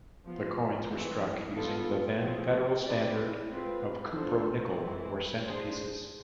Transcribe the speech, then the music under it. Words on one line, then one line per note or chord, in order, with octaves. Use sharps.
The coins were struck using the then Federal standard of cupronickel for cent pieces.
F3 B3 F4
E3 A3 C4
B3 F4 A4
F3 A3 C4 G#4
C4 G#4 B4 D5
G#3 C4 F4 B4
B3 D4 F4 A4 C5
E3 G#3 C4 E4
G#3 D4 G#4 C5